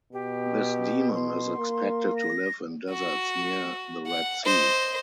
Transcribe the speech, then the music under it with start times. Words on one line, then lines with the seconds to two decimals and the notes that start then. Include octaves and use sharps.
This demon is expected to live in deserts near the Red Sea.
0.13 B2 G4
1.14 C6
1.58 A#3
2.16 A#6
2.90 F#4
4.07 F#5
4.45 C5 D#5